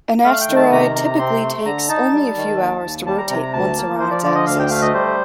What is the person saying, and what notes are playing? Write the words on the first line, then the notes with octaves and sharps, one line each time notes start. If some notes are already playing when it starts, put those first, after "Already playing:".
An asteroid typically takes only a few hours to rotate once around its axis.
A3 F5
G5
D#3
A5
C3 A#5
C3 A#5
C4 C6
A3
D3 A#5
D#4 A5
G3
D#3
D#2
D#2
G3 A5
A#5
C3 A#5
A#5
D2 A5
A#3
F3 C5
D5
D3 D5
D#5
D2 F5
G5
A3 F5
D#5
G3 C5